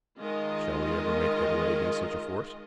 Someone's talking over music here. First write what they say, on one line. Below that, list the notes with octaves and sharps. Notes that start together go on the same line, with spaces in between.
Shall we ever make headway against such a force?
D#3 G#3 F4 A#4 D#5